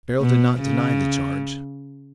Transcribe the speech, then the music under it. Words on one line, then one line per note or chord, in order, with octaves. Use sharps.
Beryl did not deny the charge.
B2
C#3